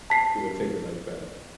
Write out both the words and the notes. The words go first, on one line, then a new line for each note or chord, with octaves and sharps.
they would take it like that.
A5 B6 C7